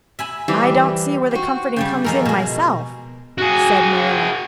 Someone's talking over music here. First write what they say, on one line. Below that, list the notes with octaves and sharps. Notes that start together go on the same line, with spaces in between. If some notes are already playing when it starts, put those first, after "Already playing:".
"I don't see where the comforting comes in myself," said Marilla.
E5 G#5 B5
E3 G3 C4
C4 F#4
C#3 G3 D5 G5
F3 G#3 E4 A#4
B2 G#3
F#4 G#4